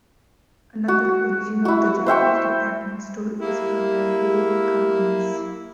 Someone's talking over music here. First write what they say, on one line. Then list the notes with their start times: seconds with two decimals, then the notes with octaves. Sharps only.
Another origin of the Japanese department store is from railway companies.
0.88 F#4
1.65 E4 F#4
2.06 C5 E5 G5 C#6
3.40 A#3 E4 G4